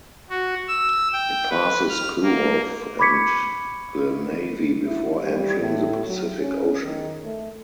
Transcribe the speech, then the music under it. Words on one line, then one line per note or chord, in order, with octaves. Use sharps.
It passes Kurow and Glenavy before entering the Pacific Ocean.
F#4
E6
G5
B4
F6
A#3
B5 C#6 D6 G#6 B6 C#7
E4
G3
A2
F#3
C#4
D#3
A3